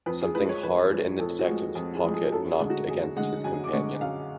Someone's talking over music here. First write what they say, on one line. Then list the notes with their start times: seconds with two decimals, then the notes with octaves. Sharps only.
Something hard in the detective's pocket knocked against his companion.
0.06 F2 B4
0.21 G#4
0.35 F3 G#3 B4
0.49 C#5
0.63 F2 B4
0.91 F3 G#3 B4
1.19 F2 A4
1.39 F#4
1.48 F3 G#3 G#4
1.75 F2
1.95 G#4
2.04 F3 G#3
2.14 G#4
2.32 F#2 A4
2.51 G#4
2.60 D3 G#3
2.70 F#4
2.88 F#2 G#4
3.16 D3 G#3 F#5
3.44 F#2 G#5
3.64 D6
3.73 D3 G#3 C#6
4.01 F#2 F5